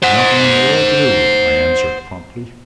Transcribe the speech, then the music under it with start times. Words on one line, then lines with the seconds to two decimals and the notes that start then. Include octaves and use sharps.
"Nothing in the world to do!" I answered promptly.
0.02 C5 F#5